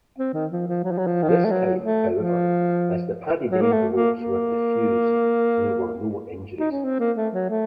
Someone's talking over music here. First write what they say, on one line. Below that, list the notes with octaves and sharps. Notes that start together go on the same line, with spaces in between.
This time, however, as the padded envelopes were defused, there were no injuries.
C4
D#3
F3
F3
F#3
F3
F#3
F3
D#3
F3
A3
F#3
A3
F3
F#3
A#3
A3
A#3
A#3
D#4
C#4
C4
A#3
A3
F#3
A3